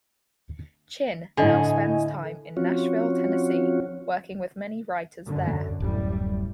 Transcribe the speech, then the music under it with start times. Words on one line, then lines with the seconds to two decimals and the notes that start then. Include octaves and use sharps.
Chinn now spends time in Nashville, Tennessee, working with many writers there.
1.37 A2 D3 D#5 G#5
2.57 F3 C4 C#4 F4 F#4 C#5
5.25 F#2 D3
5.80 D1 F#2 A2 G3